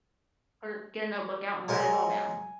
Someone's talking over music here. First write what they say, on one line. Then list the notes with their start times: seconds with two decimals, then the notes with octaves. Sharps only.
or get a notebook out and write it all down.
1.68 F#3 G#3 A#4 G#5